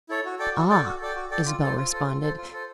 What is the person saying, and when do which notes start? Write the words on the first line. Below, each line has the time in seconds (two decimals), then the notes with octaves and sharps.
"Ah!" Isabel responded.
0.09 E4 A4 C#5
0.25 F#4
0.39 A4 D5 G5
0.54 F#4
0.70 A4 D5 G5
0.85 F#4
1.01 A4 D5 G5
1.16 F#4
1.31 A4 D5 G5
1.46 F4
1.62 A4 C5
1.77 F4
1.92 A4 C5
2.07 F4
2.22 A4 C5
2.37 F4
2.53 A4 C5